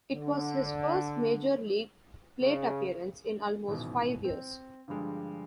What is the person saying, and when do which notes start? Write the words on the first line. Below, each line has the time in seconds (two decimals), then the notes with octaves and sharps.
It was his first major league plate appearance in almost five years.
0.13 D3
2.41 C#3
3.67 D#1 A1 G#2 B2
4.24 C4
4.88 G2 D3 F3 G3 G#3